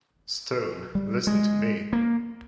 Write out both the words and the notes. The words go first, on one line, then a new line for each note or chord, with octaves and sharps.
Stone, listen to me.
G3
G#3
A#3